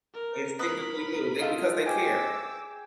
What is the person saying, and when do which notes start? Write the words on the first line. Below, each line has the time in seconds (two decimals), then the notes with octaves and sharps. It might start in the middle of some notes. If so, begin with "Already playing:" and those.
they instinctively knew. They because they cared.
0.14 A#4
0.59 A#4 B4 B5 D#6
1.39 A3 F4 D#5
1.86 G#4 G5 G#5 D6 E6